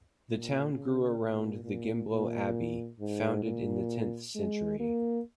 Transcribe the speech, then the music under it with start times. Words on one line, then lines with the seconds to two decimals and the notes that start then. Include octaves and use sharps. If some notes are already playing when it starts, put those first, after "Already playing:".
The town grew around the Gembloux Abbey, founded in the tenth century.
0.29 A#2
0.74 C#3
1.19 A#2
1.64 A#2
2.10 A#2
3.00 G#2
3.44 A#2
4.35 G#3
4.80 A#3